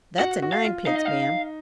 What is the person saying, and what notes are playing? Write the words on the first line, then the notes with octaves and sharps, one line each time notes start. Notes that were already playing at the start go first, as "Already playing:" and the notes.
That's a ninepence, ma'am.
F#4 F#5
F#4
F5
F4
D#4 F5
D#5
F5